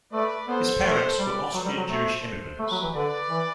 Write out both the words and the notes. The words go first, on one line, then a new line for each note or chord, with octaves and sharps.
His parents were Austrian Jewish immigrants.
A3 B4 D5
B3 A4 C5
A3
G3 B4 D5
F#3 A4 C5
G3
F#3
A3
A3 G4 B4
F#3
E3
D3 B4 D5
E3